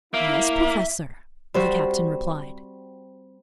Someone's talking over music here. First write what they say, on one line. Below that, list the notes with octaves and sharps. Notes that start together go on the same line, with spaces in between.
"Yes, professor," the captain replied.
A#3 E4 E5
G3 C4 F#4